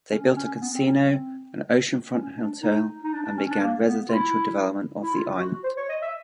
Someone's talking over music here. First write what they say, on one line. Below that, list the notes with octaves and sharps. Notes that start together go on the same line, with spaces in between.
They built a casino, an oceanfront hotel and began residential development of the island.
C#4
C#4
B3
C4
C#4
C4
C#4
D4
D#4
D#4
D4
D4
C#4
D4
A#3
B3
F4
E4
E4
F4
F#4
C5
C#5
D#5
E5